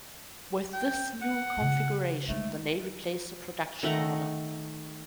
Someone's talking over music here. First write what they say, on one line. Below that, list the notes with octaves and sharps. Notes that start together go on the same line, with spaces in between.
With this new configuration, the Navy placed a production order.
G5
F#5
C#3 F4
G#3 A3 D#4
D#3 A3 F#5 A#5